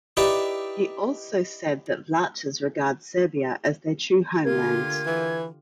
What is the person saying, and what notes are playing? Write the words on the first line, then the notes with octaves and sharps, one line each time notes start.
He also said that Vlachs regard Serbia as their true homeland.
D#4 E4 G4 B4 D5 E5
D3 A3 A#3 F4 G4 A#4 G#6
E3